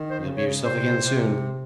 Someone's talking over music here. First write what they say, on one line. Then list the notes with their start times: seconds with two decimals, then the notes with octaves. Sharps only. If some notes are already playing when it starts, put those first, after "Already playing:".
You'll be yourself again soon.
Already playing: D#3
0.09 C5
0.24 C#3
0.37 C#5
0.63 C3 C5
1.04 C3